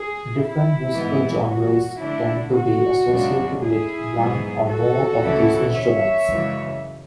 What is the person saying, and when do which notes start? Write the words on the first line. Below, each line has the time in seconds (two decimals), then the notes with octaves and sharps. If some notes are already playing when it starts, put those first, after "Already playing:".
Different musical genres tend to be associated with one or more of these instruments.
Already playing: G#4
0.39 E4
0.93 G#2 E3 B3
1.47 F#4
1.99 D3 A3 D4 E4
2.52 F#4
3.07 F#2 C#3 G#3 D4
3.60 E4 G#4
4.14 G#2 F#3 B3
4.67 F#4 A4
5.20 D2 C#3 E3 A3 E4
5.74 C#5 E5
6.28 F#2 C#3 E3 G#3